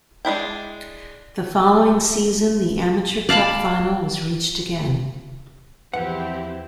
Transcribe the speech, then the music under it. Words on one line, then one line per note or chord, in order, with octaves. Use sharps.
The following season the Amateur Cup final was reached again.
G#3 D4 E4 G5
D5 F5 A5 B5
E2 F3 C4 E4 G4 B4 F#5